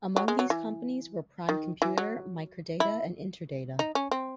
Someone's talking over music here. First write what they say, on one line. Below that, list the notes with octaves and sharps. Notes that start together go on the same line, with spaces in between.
Among these companies were Prime Computer, Microdata, and Interdata.
F#3
G#3
F#3
E3
D#3
E3
F#3
E4
D#4
C#4
C4